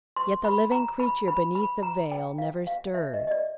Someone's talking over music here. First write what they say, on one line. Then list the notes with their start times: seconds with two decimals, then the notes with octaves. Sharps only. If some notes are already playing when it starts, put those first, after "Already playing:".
Yet the living creature beneath the veil never stirred.
0.16 C6
0.45 B5
0.71 A#5
1.00 B5
1.28 B5
1.55 B5
1.83 A#5
2.12 G5
2.38 F5
2.67 F5
2.94 E5
3.13 D#5
3.27 D#5
3.31 D5